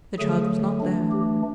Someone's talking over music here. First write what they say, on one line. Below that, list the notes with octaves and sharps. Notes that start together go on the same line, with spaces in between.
The child was not there.
D3 F#3 A3 G#4
E3 A3 D4
G4